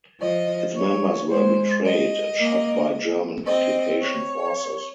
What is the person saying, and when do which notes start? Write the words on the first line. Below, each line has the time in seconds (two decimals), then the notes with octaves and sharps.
Its members were betrayed, and shot by German occupation forces.
0.20 F3 D#5
0.75 C#5
1.29 G#3 C5
1.83 D#5
2.38 A#3
3.45 C4 D#5
4.00 C#5